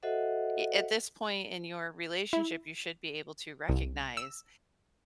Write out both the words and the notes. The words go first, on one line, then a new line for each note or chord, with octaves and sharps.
Eh, at this point in your relationship, you should be able to recognize,
F#4 A4 C5 D#5 E5 F#5
E4
C2
E6